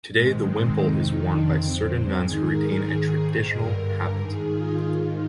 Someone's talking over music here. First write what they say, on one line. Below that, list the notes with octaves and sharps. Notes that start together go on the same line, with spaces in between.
Today the wimple is worn by certain nuns who retain a traditional habit.
G#2 D#3 G#3
C4
F2 C3 D#3 D#4
D4
F2 D3 C4
C4
G#2 D#3 G#4
A#4
G#2 D#3 G#4
G#4
G2 D3 A#4
G#2 D#3 G#4
F4
G#2 D#3